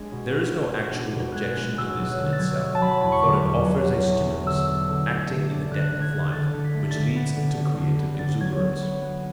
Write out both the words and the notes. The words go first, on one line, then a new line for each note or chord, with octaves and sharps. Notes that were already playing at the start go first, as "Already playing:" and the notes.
There is no actual objection to this in itself, for it offers a stimulus, acting in the depth of life, which leads to creative exuberance.
Already playing: G#3 D4
B2
B2
G#3
B2
D4
B2
G#3 F#6 G#6
G#3
B2 E6
F#3 F#6
D3 E6
A6
F#3 G#6
F#3
A5
F#3 B5
E2 B5
C#6
D3 D6
E2
F#3
F#3
E2
F#3
D3 E6
D4
D3
A3
D3
D4
D3 F#6
D3
G#6
D3
D3 A6
D3
B6
A3
D3 A6 B6
B3
D3
D3
D3
B3
D3 A6
F#3 G#6
F#3
B3
B3